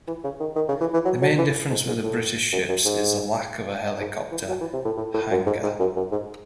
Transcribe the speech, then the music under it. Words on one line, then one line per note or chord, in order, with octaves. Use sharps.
The main difference with the British ships is the lack of a helicopter hangar.
E3
C#3
D#3
D#3
C#3
E3
E3
F#3
F#3
E3
G#2
G#2
A2
F#2
F#2
G#2
G#2
E3
F#3
E3
C3
A2
A2
A2
F#2
G#2
G#2
F#2
F#2
G#2